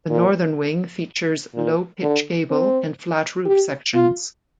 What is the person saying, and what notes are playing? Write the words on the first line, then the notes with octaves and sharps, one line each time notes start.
The northern wing features low pitch gable and flat roof sections.
A#2
A#2
D3
C4
G4
F4